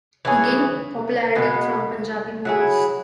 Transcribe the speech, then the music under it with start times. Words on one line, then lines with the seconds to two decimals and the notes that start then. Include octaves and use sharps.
He gained popularity from Punjabi movies.
0.25 E3 C#4 G#4
1.35 B2 G#3 B3
2.45 F#3 E4 G#4